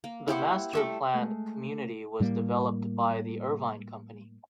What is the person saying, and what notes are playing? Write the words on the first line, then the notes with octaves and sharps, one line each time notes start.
The master-planned community was developed by the Irvine Company.
A#3
E4 G4 C5 F#5
G3 A3 E5
G#3 A3
A2 G3 A3 A#3